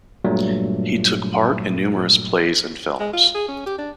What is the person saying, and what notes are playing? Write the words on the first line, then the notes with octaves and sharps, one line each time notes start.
He took part in numerous plays and films.
G2 A#2 F#3 G3 A3
G#3
F4
G#4
C#4
G4
D4